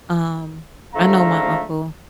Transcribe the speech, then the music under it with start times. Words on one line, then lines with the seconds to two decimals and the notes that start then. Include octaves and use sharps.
um, I know my uncle
0.94 G#2 D3 F3 A3 F5 A#5